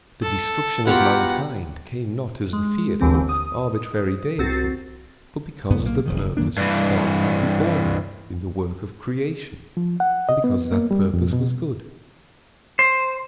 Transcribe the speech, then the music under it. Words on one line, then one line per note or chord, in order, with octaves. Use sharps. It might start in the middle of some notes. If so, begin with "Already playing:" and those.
The destruction of mankind came not as the fiat of an arbitrary Deity, but because of the purpose which God had before him in the work of creation, and because that purpose was good.
A4
B2 F4 G4 A#4 F#5
G#3
G1 D#2 D3 E3 C4
D#6
C2 C4 F#4 A6 C7
G2 A#2 C#3 B3
B1 A#3
E1 F2 D#3
F#1
F#2 D#3 A#3 D4
G2 E3
F3
F#5
D#5
B3
A#3
G3
F2
B2
C5